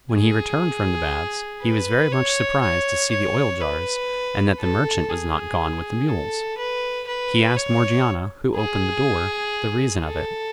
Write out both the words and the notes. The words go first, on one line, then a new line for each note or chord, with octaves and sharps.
When he returned from the baths, he was very much surprised to see the oil jars, and that the merchant was not gone with the mules. He asked Morgiana, who opened the door, the reason of it.
G#4
B4
C#5
C#5
C#5
B4
A4
G#4
A4
B4
B4
C#5
G#4
A4